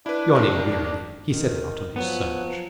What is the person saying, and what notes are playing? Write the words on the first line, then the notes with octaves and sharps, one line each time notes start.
Yawning wearily he set out on his search.
D4 E4 B4
A#1 D#3
D#3
F3 F#3 B3